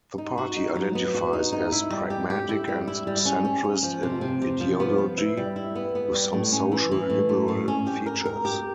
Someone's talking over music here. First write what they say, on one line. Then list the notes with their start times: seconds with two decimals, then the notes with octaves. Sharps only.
The party identifies as pragmatic and centrist in ideology, with some social liberal features.
0.18 D#4
0.38 F#4
0.57 D#4
0.75 F#3
0.95 B3
1.14 F#4
1.33 D#4
1.53 D#4
1.72 E4
1.91 G3
2.10 G4
2.30 G4
2.49 E4
2.68 G3
2.88 E4
3.07 G3
3.25 C#4
3.45 C#4
3.64 C#4
3.83 F3
4.03 C3
4.21 C3
4.42 C3
4.60 F3
4.80 B3
4.98 B3
5.18 E4
5.37 G3
5.56 E4
5.75 B3
5.95 B3
6.14 G3
6.33 A2
6.52 C#4
6.72 E3
6.91 E3
7.10 A2
7.29 A3
7.48 A2
7.68 C#4
7.87 G4
8.06 A#4
8.25 A#4
8.45 G4